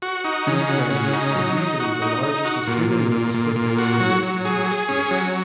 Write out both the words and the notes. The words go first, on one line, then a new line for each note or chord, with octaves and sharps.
These venues are usually the largest Australian rules football stadiums in each state.
F#4
D#4
C#3
F#4
C#3
D#4
F#3
D#4
F#4
D#4
D#4
F#4
A#2
A#2
A#2
A#2
A#2
F#4
F#3
F#3
G#4
G#4
C#4
F#3